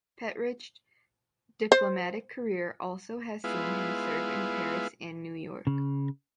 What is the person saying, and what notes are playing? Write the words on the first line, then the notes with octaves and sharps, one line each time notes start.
Petritsch's diplomatic career also has seen him serve in Paris and New York.
C5
G#3 B3 E4 F4
C#3